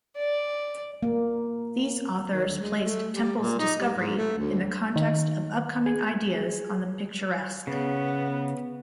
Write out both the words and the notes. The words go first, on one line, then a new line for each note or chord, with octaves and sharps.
These authors placed Temple's discovery in the context of upcoming ideas on the picturesque.
D5
A#3
D#3
D2
G#3
A3
G3
A#2
D#4
G3
G#2
A3
D2
D#3
G#4
C#3 B3